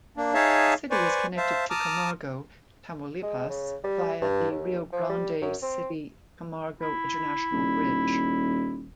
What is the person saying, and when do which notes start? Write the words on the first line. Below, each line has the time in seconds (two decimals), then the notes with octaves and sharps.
The city is connected to Camargo, Tamaulipas, via the Rio Grande City-Camargo International Bridge.
0.17 A#3 D4
0.34 D#4 G#4 C#5 E5 F5 A5
0.91 B4 C5 D5 G#5 C#6
1.37 C5 E5 F5 A5
1.70 A5 A#5 D6 D#6 F6
3.23 G#3
3.49 C#3
3.84 G3
4.21 G2
4.51 D#2
4.92 F3
5.09 G3
5.42 F#2
5.62 C4
6.81 E4
7.52 D#1